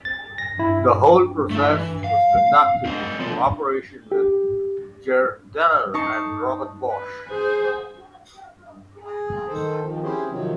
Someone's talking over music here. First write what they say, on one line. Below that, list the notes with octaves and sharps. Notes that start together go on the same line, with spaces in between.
The whole process was conducted in cooperation with Goerdeler and Robert Bosch.
A6
A#6
E4
A3 E4
E3
F5
C4 D#4
B2 F3
G4
D#4 A5 C#6 C7
B4
G#4 C5
G#4
D#3 A4 C5
D#3 F3
C4 C#4 E4 G4 G#4 C5
C3 D#3 F3 F#3 C4